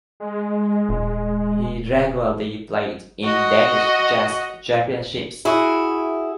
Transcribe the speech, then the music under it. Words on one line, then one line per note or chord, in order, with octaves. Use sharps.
He regularly played in Danish Chess Championships.
G#3
D#1
F#4 D#5
E4 F#4 G#4